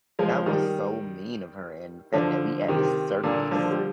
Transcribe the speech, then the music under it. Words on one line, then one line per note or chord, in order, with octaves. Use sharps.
That was so mean of her, and the fact that we at the circus,
F3 G#3
D#3 G3
D3 F3
C3 D#3
A#2 D3
D3 F3
G3